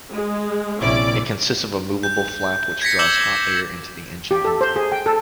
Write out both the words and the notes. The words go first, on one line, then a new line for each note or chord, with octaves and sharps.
It consists of a moveable flap which draws hot air into the engine intake.
G#3
A#1 C3 C#4 E4 D5 D6
G6
G#6 A#6 B6 C#7
D6 E6 G6 E7 F#7 G7
G4
A4
C5
G#4
G5
A4